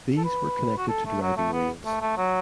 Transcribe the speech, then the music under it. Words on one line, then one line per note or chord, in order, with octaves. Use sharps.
These were connected to driving wheels.
A4
B4
F#4
A4
A3
F#3
A3
B3
A3
A3
F#3